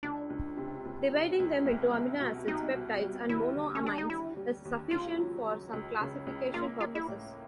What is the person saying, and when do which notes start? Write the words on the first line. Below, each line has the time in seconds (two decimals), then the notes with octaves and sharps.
Dividing them into amino acids, peptides, and monoamines is sufficient for some classification purposes.
0.03 C#2 D4
0.30 C#2
0.57 C3
0.85 C#2
1.12 C3
1.40 C#2
1.66 C2
1.94 C2
2.20 B2
2.47 C2 D#4
2.75 B2
3.01 G3
3.29 D#2 E4
3.55 D3
3.75 C#4
3.83 G3 D4
3.98 D#4
4.10 G3 E4
4.37 G3
4.65 D#2
4.91 C#2 F4
5.18 F#3
5.47 F#3
5.73 C#2
6.01 C#3
6.27 C#2
6.54 A#3 F4
6.80 A#3 F4
6.95 E4
7.08 A2